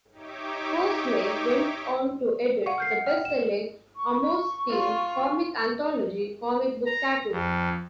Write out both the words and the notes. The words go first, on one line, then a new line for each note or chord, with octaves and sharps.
Hoseley went on to edit the best selling Amos-themed comic anthology "Comic Book Tattoo".
D#4 G4 C#5 E5 D6
F5 F#5 C#6 D#7
F6 G6 C7
F#5
G5 F6
E7
C#6
F4
A#5
F2